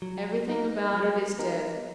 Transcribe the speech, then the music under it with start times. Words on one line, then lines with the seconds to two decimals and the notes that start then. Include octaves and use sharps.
Everything about it is dead.
0.02 F#3
0.48 B3 D#4 A#4
0.94 F#3
1.38 B3 D#4 A#4